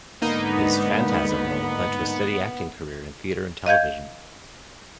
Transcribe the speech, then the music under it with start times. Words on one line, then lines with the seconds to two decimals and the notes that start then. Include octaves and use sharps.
His "Phantasm" role led to a steady acting career in theater and television.
0.22 G#2 D3 A#3 B3 D#4 B4
3.66 D#5 F5 G6 G#6